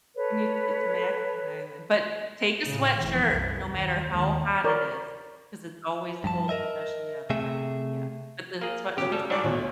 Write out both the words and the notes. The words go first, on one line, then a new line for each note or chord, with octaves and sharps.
You need to get to Mackinac Island, but take a sweatshirt no matter how hot it is, 'cause it's always cold, especially on the island, yep, but the sweatshirts are cheap.
A4 B4 C#5
A2 C#3
F1 E3
C2 F#2
D#2
D#2 G#3
A#4 C#5 D5
G2 F3 A5
A#4 D#5 E5
C3 A3 G#4 E5
A#3 G#4
G1 C#3 F#3 G4
G3 A4
G#2 F#3 D4 C#5 D5 D6
D2 B2 C#5